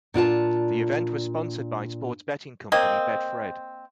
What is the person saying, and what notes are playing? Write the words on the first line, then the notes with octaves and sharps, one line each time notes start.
The event was sponsored by sports betting company Betfred.
A#2 D4 F4 A5
A#3 C4 D#5